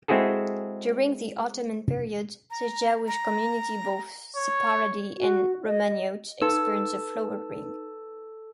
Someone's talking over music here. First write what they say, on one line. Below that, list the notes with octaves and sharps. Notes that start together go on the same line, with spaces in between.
During the Ottoman period, the Jewish community, both Sepharadi and Romaniote, experienced a flowering.
G#3 C4 E4 F#4 G#4 A4
A#5
A#5
C#5
F#4
D#5
D#4 A4 B4 E6